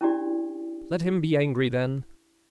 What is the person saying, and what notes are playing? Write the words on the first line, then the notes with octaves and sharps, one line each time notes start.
Let him be angry then.
C#4 D4 E4 F#4 G4 D5